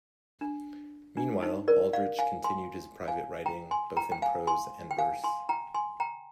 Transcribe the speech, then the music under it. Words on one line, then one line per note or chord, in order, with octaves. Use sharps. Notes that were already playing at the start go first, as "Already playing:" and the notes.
Meanwhile, Aldrich continued his private writing, both in prose and verse.
D4
D4
D#4
A#4 D5
D5 F5
F5 G#5
G#5 C6
F5 G#5
G5 A#5
G#5 C6
G5 A#5
G5
F5 G#5
G#5 C6
G5
F5 G#5
G#5 C6
G5 A#5
G#5 C6
G5 A#5